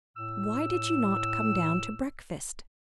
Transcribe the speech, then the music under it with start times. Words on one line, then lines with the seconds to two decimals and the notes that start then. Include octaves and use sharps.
Why did you not come down to breakfast?
0.16 A2 E6